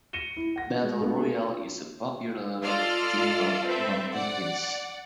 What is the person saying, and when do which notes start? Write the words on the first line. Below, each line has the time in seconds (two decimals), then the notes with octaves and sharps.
Battle Royale is a popular gamemode among preteens.
0.13 A#6 C#7 D#7 E7 G7
0.36 E4
0.56 F#5 A#6
0.82 G#3
1.00 A3 B3 D4 F#4 A4
2.64 F4 A4 D5 D#5 C6 F6
3.66 C4 A4 B4 E5
4.12 D5 F#5